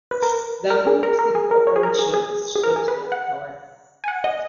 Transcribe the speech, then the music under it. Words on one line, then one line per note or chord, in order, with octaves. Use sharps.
The group ceased operations shortly afterwards.
B4
A#4
A#4
G#4
A#4
A#4
G#4
A#4
C#5
G#4
A#4
G#4
G#4
G#4
A#4
G#4
B4
F#5
G#5
F#5
D#5